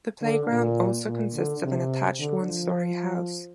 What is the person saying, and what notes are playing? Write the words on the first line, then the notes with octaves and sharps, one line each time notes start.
The playground also consists of an attached one-story house.
D3
A#2
A#2
D3
C3
D3
F3